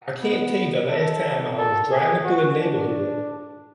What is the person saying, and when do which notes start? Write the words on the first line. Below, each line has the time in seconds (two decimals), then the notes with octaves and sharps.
I can't tell you the last time I was driving through a neighborhood,
0.22 B3
0.89 A4
1.58 A4
1.90 G#4
2.24 F#4
2.59 D4